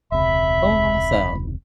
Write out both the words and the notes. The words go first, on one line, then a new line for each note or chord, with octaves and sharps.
Oh, awesome.
E1 C#2 C3 E5 B5